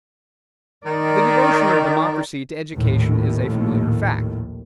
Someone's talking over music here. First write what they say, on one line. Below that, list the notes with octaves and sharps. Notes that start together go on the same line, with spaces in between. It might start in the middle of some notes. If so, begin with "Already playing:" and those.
The devotion of democracy to education is a familiar fact.
D#3 A#4 D5
A#1 D#2 A2